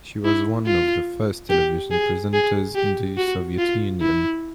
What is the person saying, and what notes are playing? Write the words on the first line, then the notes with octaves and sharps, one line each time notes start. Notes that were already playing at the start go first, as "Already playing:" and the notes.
She was one of the first television presenters in the Soviet Union.
E4
F4
G4
G#4
G#4
G4
F#4
F4
E4